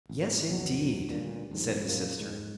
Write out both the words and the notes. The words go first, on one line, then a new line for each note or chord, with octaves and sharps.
"Yes, indeed!" said his sister.
G#1
G#1 D#2 B2 F#3
D2 G2 A#2
G#1 F2 G#2
F#2 A#2 A#3
G#2 G#3